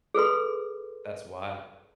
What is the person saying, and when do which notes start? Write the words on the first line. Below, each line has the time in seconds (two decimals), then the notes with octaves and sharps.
That's wild.
0.14 G#4 A4 B4 C6